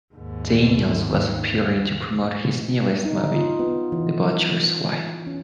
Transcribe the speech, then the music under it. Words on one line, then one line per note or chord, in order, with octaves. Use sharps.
Daniels was appearing to promote his newest movie, "The Butcher's Wife".
D#2 G#2
D#4
F4
B3
E3
C#4